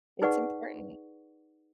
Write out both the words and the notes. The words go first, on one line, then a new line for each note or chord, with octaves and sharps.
It's important.
D#4 G#4 B4 D5 F#5 C#6